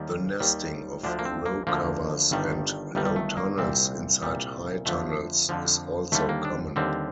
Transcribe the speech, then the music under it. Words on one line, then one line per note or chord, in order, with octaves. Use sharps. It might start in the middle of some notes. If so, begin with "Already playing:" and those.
The nesting of row covers and low tunnels inside high tunnels is also common.
Already playing: D#2 D#3 G3 A#3
D#2 D#3 G3
D2 D3 F3 D4
A#3
C4
A#3
D2 D3 F3 A#3
G1 G2 D#3 G3
G1 G2 D#3 G3
G3
A3
A#3
C2 A#2 G3 C4
C2 A#2 G3
F2 D3 F3 A3
F2 D3 F3
D#2 D3 G3 A3
A#3
D4
D#2 D3 G3 C4